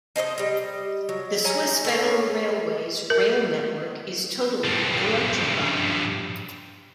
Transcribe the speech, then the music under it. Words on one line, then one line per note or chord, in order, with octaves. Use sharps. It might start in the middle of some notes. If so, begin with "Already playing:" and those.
The Swiss Federal Railways rail network is totally electrified.
D#4 C5 C#5 D#5
G3 D#5
F#3
C#5 G#5 A#5
A3 B4 C#5
A#4
G2 F3